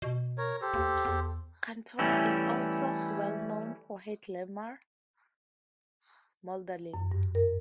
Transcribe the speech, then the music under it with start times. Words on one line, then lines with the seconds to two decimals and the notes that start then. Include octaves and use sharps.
Katona is also well known for her glamour modelling.
0.02 B2
0.38 A#4 C#5
0.62 G4 A4 C5
0.74 D#2
1.05 E2
1.99 E3 G3 A3 C#4 E4
6.94 F#2
7.12 G2
7.35 A#4